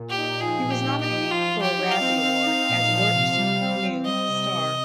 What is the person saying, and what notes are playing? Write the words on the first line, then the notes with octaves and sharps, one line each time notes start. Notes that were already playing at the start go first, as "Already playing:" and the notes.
He was nominated for a Razzie Award as Worst New Star.
Already playing: A#2
G4
D#4
F3 G#4
A#2
G4
D#4
G4
F3
F3 F4
F3
G4
D#4
F5
C4
C4
D#4
A#2
F3
C3
G3
C4
C4
G3 D#5
C3
C3